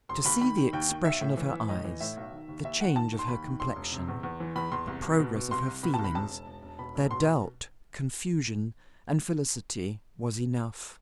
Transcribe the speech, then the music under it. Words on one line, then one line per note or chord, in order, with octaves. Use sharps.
To see the expression of her eyes, the change of her complexion, the progress of her feelings, their doubt, confusion, and felicity, was enough.
E1 C6
D#2 B5
D#3 B5
D#3
D#2 G5
D#3
B1 E5
A2
E3
E3
A2 D#5
E3
A2 E5
B1
D#3
D#2
D#2 E5
D#3 F#5
D#3 A5
D#2
C6
D#2 B5
D#3
E1 C6
E1
C3
E2
E2
E3
E2 B5
E2 C6
C2
C2
B2
B2
C2 C6
C2
B2 B5
A5
C2
B5
E1 A5
E1
E1
E1
B2 B5
E1
B2 C6